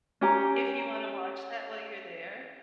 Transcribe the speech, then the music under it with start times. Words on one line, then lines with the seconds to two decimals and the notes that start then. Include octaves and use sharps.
if you wanna watch that while you're there.
0.21 C#4 G4 A#5